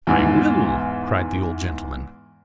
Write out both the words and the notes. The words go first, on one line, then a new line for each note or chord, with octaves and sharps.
"I will!" cried the old gentleman.
E2 G#2